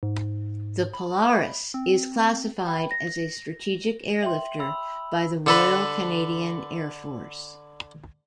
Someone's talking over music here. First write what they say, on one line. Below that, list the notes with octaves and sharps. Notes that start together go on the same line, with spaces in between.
The Polaris is classified as a strategic airlifter by the Royal Canadian Air Force.
G#2
B5
C4
G5 B5
A#6
E5 G5 C6 F#7
B5 E6
D3 A4 B4